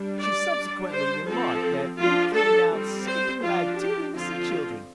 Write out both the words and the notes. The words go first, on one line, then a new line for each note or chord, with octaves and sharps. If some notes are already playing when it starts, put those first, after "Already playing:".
She subsequently remarked that we came out skipping like two innocent children.
Already playing: G3 D4
D5
G3 D4
C5
F3 C4 A4
F3 D4 F4
A4
G3 C4
C5
F3 D4 F4
G4
D3 F3 C4 F4